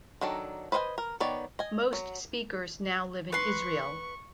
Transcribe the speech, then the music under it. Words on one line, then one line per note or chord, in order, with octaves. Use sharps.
Most speakers now live in Israel.
D#3 F#3 D4 A4
B4 C5 D#5 F#5 G#5
A#4
D#3 B3 C#5 D5
D#5 G#5
F#3
B4 C6 C#6